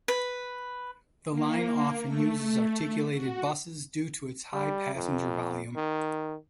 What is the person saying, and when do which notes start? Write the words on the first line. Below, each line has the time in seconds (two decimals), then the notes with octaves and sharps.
The line often uses articulated buses due to its high passenger volume.
0.08 B4
1.31 A#3
2.05 A3
3.14 F#4
4.53 G3
4.94 F2
5.76 D#3